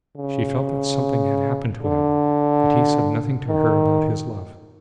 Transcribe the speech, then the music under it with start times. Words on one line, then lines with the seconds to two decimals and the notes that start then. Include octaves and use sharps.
She felt that something had happened to him, but he said nothing to her about his love.
0.17 C#3
1.82 D3
3.48 D#3